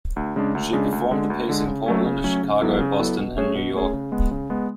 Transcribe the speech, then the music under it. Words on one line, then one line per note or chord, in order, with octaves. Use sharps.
She performed the piece in Portland, Chicago, Boston, and New York.
D2
C#3 G#3 D4
D2
C#3 G#3 D4
D2
D3 G#3
D2
D3 G#3
C#3
F#3 A3 C#4
C#3
F#3 A3 C#4
C#3
F#3 B3 E4 A4
C#3
F#3 B3 E4 A4
B2
A3 C#4 G#4 C#5
B2
A3 C#4 G#4 C#5
C#3
G#3 B3
C#3
G#3 B3